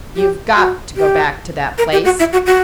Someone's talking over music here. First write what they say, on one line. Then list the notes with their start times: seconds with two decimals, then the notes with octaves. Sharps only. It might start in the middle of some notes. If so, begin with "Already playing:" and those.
"You've GOT to go back to that place?"
0.16 G4
0.56 F#4
0.97 G4
1.78 A#4
1.92 G4
2.05 F#4
2.19 E4
2.33 F#4
2.46 F#4